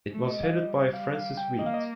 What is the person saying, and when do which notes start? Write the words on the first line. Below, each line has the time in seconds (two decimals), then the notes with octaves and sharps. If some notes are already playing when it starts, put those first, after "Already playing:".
It was headed by Francis Wheat.
0.12 A3
0.27 D#5
0.41 G3 F5
0.49 D#5
0.94 F5
1.15 F5
1.37 G5
1.59 A#3 D#5
1.66 F5
1.74 D#5